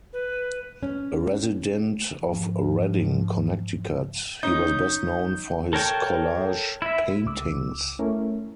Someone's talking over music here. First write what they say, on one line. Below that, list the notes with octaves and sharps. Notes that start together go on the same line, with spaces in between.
A resident of Redding, Connecticut, he was best known for his collage paintings.
B4
C#4
G#2 F3
C#4 D#4 D#6 G6
A4 A#4 C#5 G5 A5
E4 E5
C#2 D6 E6
A3 C#4 E4 A#4